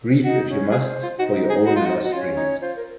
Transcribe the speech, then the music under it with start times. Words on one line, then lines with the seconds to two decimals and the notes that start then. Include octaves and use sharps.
Grieve if you must, for your own lost dreams.
0.24 D#4 F#4 D#5
0.48 C#4 C#5
0.71 G#4 C5
1.03 F4
1.18 D#4 F#4 D#5
1.50 G#4
1.65 F#4
1.76 F4
1.85 F#4
2.04 F#4 D#5
2.12 C#4 F4 C#5
2.36 D#4
2.60 F4 C5
2.76 A#4